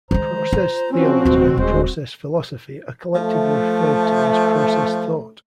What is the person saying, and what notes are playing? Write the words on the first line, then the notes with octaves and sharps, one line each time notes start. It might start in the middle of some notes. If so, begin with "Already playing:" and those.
Process theology and process philosophy are collectively referred to as process thought.
D#3 G#3 C5 A#5
F4
F3 C4 C#4 F#4
D1 B2 E3
D#1 D2 G#3 C5
F3 A3